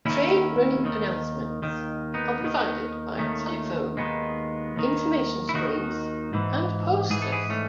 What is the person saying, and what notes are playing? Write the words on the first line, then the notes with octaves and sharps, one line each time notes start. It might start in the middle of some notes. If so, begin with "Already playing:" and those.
Train running announcements are provided by telephone, information screens and posters.
D#2 D#3 C#4 E4
D#2 D#3
D#2 D#3
B3 D#4
D#2 D#3
D#2 D#3 A3 C#4
D#2 D#3 G#3 B3
D#2 D#3
E4
D#2 D#3 D#4 F#4
G#2 E3
G#2 E3 G#4
A4
E4 G#4
A3 C#4